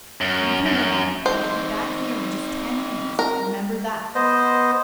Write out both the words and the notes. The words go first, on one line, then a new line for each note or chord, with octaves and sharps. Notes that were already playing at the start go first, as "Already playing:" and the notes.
"You can go, but you're to be back here in just ten minutes, remember that."
F#2
F#2
C4 D#4 C5
A#4
B3 C5 D#5